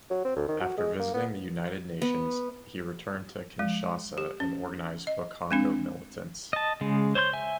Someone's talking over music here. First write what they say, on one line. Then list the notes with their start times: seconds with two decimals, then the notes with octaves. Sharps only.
After visiting the United Nations, he returned to Kinshasa and organized Bakongo militants.
0.10 F#3
0.25 C4
0.36 D2
0.48 D#3
0.61 F#4
0.78 G#3
0.99 A#3
1.14 B3
2.02 B3
3.59 F3 G#3
4.18 G4
4.40 C#4
5.07 D#5
5.51 G#3 C4 D4
6.53 D#5 A5
6.81 C#3 G#3
7.15 C5 C#5 C6 G6
7.33 E5 G#5